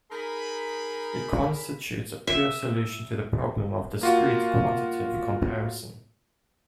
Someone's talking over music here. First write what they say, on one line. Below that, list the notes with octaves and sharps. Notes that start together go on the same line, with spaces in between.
It constitutes a pure solution to the problem of discrete quantitative comparison.
D#4 G#4 A#4 B5
E5
A#3 F4 F#4